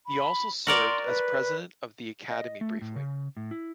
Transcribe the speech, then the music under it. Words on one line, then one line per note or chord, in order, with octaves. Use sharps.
He also served as President of the Academy briefly.
B5
F#4 A#4 D5 C6
B4
D#5
A3
A2
C#3
A2
E4